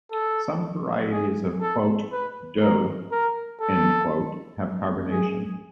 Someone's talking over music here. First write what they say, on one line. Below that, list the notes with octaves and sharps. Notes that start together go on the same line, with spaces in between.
Some varieties of "doogh" have carbonation.
A4
G#4
A4
B4
A#4
A#4
A4
G#4